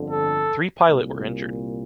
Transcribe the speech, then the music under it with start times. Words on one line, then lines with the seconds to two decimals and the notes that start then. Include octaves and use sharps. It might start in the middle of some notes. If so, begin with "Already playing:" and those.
Three pilot were injured.
Already playing: G1 F2 D3
0.11 A4
0.87 C2 A#2